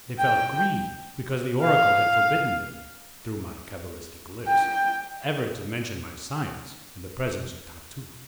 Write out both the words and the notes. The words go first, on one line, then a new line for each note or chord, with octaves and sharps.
They felt grieved because the oracle had forbidden them, through my cabalistic lips, ever to mention my science in the presence of Tartufe.
G5
F5
G5